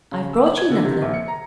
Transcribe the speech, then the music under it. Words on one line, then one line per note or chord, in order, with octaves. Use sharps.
'I've brought you nothing.
C#3
E6
F#7
G#6
D3
C3
A#1
C#7
A#5